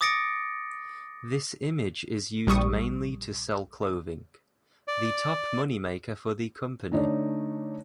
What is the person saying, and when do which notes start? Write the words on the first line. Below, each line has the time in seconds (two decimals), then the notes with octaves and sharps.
This image is used mainly to sell clothing, the top moneymaker for the company.
0.01 D6 D#6 A6 A#6 C#7 D7
2.47 A#1 G3 C#6 D#6
4.88 D5
6.91 D3 A3 D#4 C#5 D5